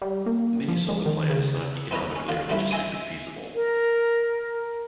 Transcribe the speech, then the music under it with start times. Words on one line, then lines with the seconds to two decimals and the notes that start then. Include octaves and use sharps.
Many saw the plan as not economically or logistically feasible.
0.02 G3
0.26 A#3
0.68 F3
0.89 G#3
1.06 D#3
1.30 C#3
1.91 C4 D#4 B4 C#5 A#5
2.16 C#4
2.28 D3 F4
2.49 G2 C#3 A3 C4 E4
2.71 D#5 E5 G#5 C6 D6 D#6
3.54 A#4